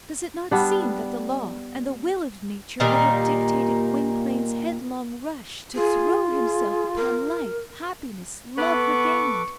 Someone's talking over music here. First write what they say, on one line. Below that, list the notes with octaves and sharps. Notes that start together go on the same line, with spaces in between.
Does it not seem that the law and the will of nature would have dictated Gwynplaine's headlong rush to throw himself upon life, happiness, love regained?
G3 B3 D4
A#2 D#3 G3 A#3
F4 G#4
G#4
A#4
B3 A4 B4 C#6 D6